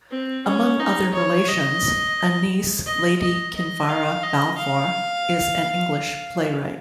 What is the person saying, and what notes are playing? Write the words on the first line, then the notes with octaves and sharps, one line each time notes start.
Among other relations, a niece Lady Kinvara Balfour is an English playwright.
C4
C#4
D#4
C#5
D#5
D#5
D#5
D#5
F5
D#5
F5